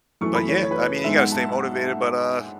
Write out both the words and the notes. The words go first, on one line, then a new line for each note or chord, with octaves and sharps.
But yeah, I mean, you gotta stay motivated, but, uh,
F#2 E3 A3 C#6
B5
C#5
C#5
B4
C#5
G#2 G#3 B3 E5
F#5
A5